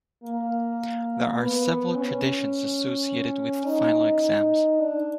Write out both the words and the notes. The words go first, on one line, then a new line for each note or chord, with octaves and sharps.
There are several traditions associated with final exams.
A#3
B3
C#4
D#4
D#4
D4